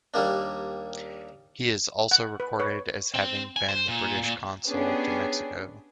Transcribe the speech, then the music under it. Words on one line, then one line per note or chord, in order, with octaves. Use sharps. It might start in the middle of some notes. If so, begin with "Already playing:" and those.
He is also recorded as having been the British consul to Mexico.
D#2 G3 A#3 D4
F#5
B4
B4 C#5
C4
G#5
C5
A#2
A#2
B3 C#4 D4 G4 G#4